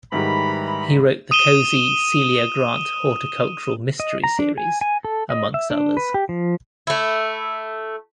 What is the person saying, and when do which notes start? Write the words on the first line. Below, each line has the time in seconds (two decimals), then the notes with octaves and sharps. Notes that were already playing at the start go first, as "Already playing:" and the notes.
He wrote the cozy Celia Grant Horticultural mystery series, amongst others.
0.12 G#2 D#3 E3 G3 A#5 B5
1.31 D#6 D#7 E7 G7
4.00 D#5
4.24 A#5
4.39 D4
4.58 G#5
4.81 G#5
5.05 A4
5.30 D#5
5.54 E5
5.71 D4
5.97 B4
6.14 G4
6.29 F3
6.87 A3 E4